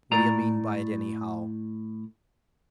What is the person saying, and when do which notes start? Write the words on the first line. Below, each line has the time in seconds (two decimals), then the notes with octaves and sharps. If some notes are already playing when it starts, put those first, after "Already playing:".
What d'you mean by it, anyhow?
0.12 A2 D5 A#5